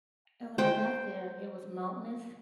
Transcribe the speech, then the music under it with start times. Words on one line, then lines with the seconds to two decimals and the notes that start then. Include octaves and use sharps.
and when I got there, it was mountainous,
0.58 C5 G5